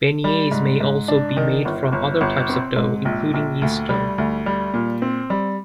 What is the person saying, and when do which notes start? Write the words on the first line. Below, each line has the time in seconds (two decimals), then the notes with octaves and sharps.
Beignets may also be made from other types of dough, including yeast dough.
0.24 G3
0.52 G#2
0.80 G#2
1.08 D4
1.37 D#3
1.65 G1
1.93 G1
2.21 G1
2.49 C4
2.77 G#2
3.05 A#1
3.34 A#1
3.62 D2
3.89 G3
4.18 D2
4.46 G3
4.74 A#2
5.02 C4
5.30 G3